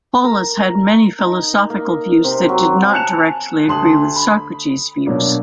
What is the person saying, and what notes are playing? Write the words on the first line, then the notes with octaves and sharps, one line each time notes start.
Polus had many philosophical views that did not directly agree with Socrates views.
A#4
D#4
A#3
C3
F#3
G#5 A5 F#6 C#7 E7 F7
D2 A5 C6 D#6 F#7
B5
B2 F#3 A#3 D4